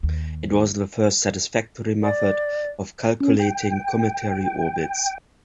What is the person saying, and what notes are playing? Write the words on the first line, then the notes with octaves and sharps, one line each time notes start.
It was the first satisfactory method of calculating cometary orbits.
D#2
D5
C#4
G5